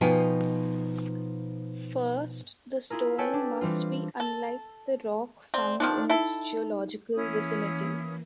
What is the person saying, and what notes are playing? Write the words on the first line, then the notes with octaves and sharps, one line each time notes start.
First, the stone must be unlike the rock found in its geological vicinity.
B2 F3 D#4 F4 G5 G#5
E4 F4 G#4 A#4
A4 B4 C#5 E5 G5 G#5
D4
E3 G3 C4 F4
A4
C4 D5
D#3 F3 D4 D#4
E4 A4
E3 A#3 C#4 E4 D#6